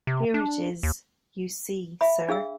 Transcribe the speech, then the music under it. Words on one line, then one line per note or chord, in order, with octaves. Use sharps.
Here it is, you see, sir!
C3
D4
D#2
E5 B5
D4 G#4 F5 E6